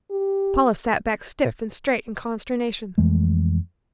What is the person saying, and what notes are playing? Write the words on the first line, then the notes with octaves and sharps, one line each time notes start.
Paula sat back stiff and straight in consternation.
G4
F2 E3 G#3 A3